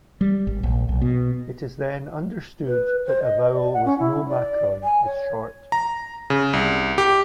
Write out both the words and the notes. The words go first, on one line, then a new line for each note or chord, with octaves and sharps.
It is then understood that a vowel with no macron is short.
G3
G#1
A#1
B1
B2
B4
C5
D#5
D5
F#5
C#4
E4
D5
G#5
C#5
A#5
C#3
C2
G4